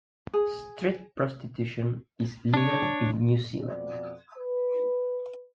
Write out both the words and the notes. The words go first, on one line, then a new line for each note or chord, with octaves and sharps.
Street prostitution is legal in New Zealand.
G#4
D4 C#5
F2 B2 D5
B4